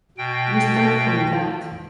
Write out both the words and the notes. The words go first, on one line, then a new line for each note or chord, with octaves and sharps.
We start from that.
B2 G5